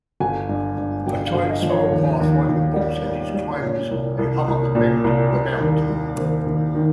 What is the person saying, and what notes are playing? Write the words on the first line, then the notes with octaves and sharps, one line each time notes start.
A tight spiral path lined with box hedges climbs a hummock named "The Mount".
G1 G#5
G2
G2
G1 G5
F5
G1
D#5
F3
C#5
D#2
D#2
D#2
G3
G3
G3
A#2 C#5
C2
C2
C2
A#2
C2
G3
D#2
G3
D#2 C5
D#2
D#3